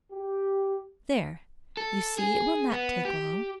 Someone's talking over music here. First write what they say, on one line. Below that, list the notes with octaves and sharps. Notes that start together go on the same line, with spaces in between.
"There, you see it will not take long."
G4
A4
G#4
B3
G4